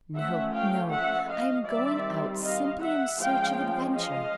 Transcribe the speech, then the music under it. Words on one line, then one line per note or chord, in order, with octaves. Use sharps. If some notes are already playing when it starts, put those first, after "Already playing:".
No, no; I am going out, simply in search of adventure.
F3 A3 C#4 E5 F#5
F5 G5
E5 F#5
D#5 F5
D#3 G3 C4 D5 E5
D#5 F5
E5 F#5
F3 G#3 C#4 F5 G5
D#5 F5